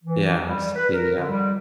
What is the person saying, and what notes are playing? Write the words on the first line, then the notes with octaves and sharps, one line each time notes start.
Yes, the, uh
E3
G3
B4
A#4
D3
G3